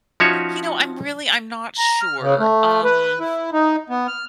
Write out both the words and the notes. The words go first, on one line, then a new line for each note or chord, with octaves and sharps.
You know, I'm really I'm not sure, um,
F3 C#4 D#4 F#4 C#5 E5
A#5
F6
C#3
A3
B4
E4
D#4
B3
F6